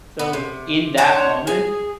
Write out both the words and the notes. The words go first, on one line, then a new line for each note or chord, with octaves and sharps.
So, in that moment,
B3
C3
D4 C5 C#5 F#5
G#4 G#5